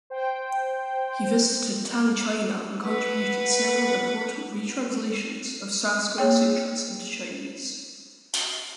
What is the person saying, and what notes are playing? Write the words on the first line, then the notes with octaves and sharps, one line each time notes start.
He visited Tang China and contributed several important retranslations of Sanskrit sutras into Chinese.
C5 G5
B4 F#5
A#3 G#4 C#5 G5